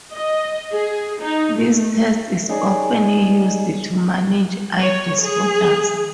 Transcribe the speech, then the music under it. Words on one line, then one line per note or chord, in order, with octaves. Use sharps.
This test is often used to manage eye disorders.
D#5
G#4
D#4
A3
D#4 G#4 C#5 D5
C#5
G#4